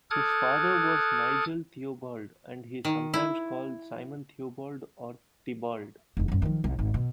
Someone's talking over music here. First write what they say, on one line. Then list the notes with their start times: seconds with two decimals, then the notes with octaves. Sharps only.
His father was Nigel Theobald, and he is sometimes called Simon Theobald or Tybald.
0.11 A4 D6 D#6 F6 F#6 G#6
2.85 D#3
3.14 E4
6.17 F1 E2
6.28 F#2 G3
6.42 D#3 F3
6.64 C2
6.79 G#1
6.94 B2